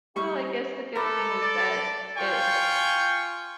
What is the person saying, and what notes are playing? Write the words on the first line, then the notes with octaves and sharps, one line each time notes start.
Well, I guess the good thing is that it
G3 C#6
A3 A4 A#4 B5 D6
D5
F4 G5 G#5 C#6